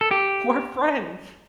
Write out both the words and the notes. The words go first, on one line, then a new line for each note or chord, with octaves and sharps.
We're friends.
A4
G4